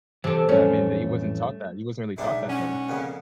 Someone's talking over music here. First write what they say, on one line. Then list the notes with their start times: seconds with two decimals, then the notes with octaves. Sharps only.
Yeah. I mean, the you wasn't taught that. You wasn't really taught that though.
0.24 C3 E3 A4 A5
0.49 F2 A2 E3 G3 A3 C#4
2.18 B1 G#2 D4 E5
2.49 C#4 F#5
2.89 F2 A#2 C#3